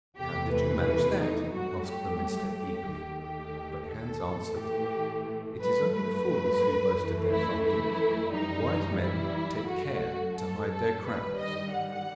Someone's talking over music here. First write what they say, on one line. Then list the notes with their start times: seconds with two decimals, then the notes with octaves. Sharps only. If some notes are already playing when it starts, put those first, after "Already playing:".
'How did you manage that?' asked the minister eagerly, but Hans answered, 'It is only fools who boast of their farthings; wise men take care to hide their crowns.'
0.18 E2 C3 E3 A3 G4
0.52 B4
1.20 D#4
1.54 G2 F#3 A3 F#4
1.88 G4
2.55 G4
2.90 D#2 D#3 A3
3.23 G4
3.91 A4
4.25 A2 E3 A3
4.59 G4
5.61 G2 F#3 A3 B4
5.95 B4
6.97 F#2 E3 A3
7.31 E4
7.65 E4
8.33 F#2 E3 G3 D#4
9.01 E4
9.69 F#2 F#3 A3 F#4
10.37 A4
10.71 A4
11.04 G2 D#3 G3 B4
11.38 D#5
11.73 F#5